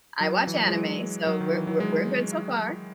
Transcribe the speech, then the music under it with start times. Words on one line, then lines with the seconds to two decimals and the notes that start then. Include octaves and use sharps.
I watch anime, so we're we're we're good so far.
0.21 F#3
0.47 E3
0.68 G#3
0.74 F#3
1.27 F#3
1.41 D#3
1.54 E3
1.67 F#3
1.80 G#3